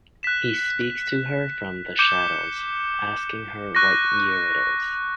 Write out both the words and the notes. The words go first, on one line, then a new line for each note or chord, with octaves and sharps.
He speaks to her from the shadows, asking her what year it is.
F#6 B6 E7
D6 G6 C#7 E7 G7
C#6 F#6 A#6